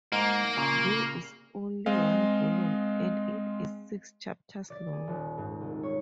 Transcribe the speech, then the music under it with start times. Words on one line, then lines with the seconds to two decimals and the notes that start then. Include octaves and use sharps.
There is only one volume and it is six chapters long.
0.12 G#2 A#3
0.57 A#2 C#3
1.86 G#3 C4 D#5 F5
4.70 D5
4.92 G#4
5.07 D#1
5.38 G#2
5.60 C2
5.83 C#5